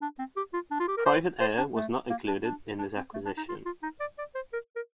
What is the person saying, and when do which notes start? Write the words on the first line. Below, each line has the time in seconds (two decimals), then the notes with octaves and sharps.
"Private Air" was not included in this acquisition.
0.02 D4
0.19 C4
0.36 G4
0.54 F4
0.71 D4
0.80 F4
0.88 G4
0.97 A#4
1.05 C5
1.40 C5
1.58 D4
1.75 A3
2.10 A#3
2.28 D4
2.44 D4
2.78 D4
2.96 C4
3.14 A3
3.25 D4
3.37 D#4
3.49 F4
3.65 F4
3.83 D#4
4.00 D5
4.18 D5
4.35 C5
4.53 A#4
4.76 A#4